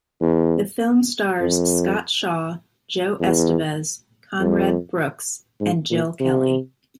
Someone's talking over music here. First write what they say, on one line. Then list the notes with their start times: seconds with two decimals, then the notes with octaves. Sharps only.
The film stars Scott Shaw, Joe Estevez, Conrad Brooks, and Jill Kelly.
0.21 E2
1.40 F2
3.20 E2
4.40 F2
5.61 G#2
5.90 A#2
6.20 C3